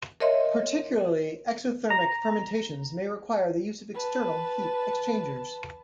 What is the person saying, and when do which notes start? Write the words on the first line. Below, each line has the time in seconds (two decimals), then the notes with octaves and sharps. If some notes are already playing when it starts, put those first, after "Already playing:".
Particularly exothermic fermentations may require the use of external heat exchangers.
0.20 A#4 C#5 D#5 E5 C6
1.90 A#5
3.95 B4 A5